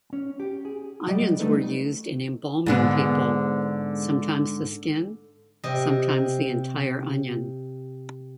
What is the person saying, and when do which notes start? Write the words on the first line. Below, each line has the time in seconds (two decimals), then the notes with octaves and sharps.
Onions were used in embalming people - sometimes the skin, sometimes the entire onion.
0.13 C#4
0.40 G4
0.65 G#4
1.07 F#3 G3 D5 D#5
1.39 A3 D#4 A4 B4
2.66 G#2 D3 B3
5.64 C3 D#5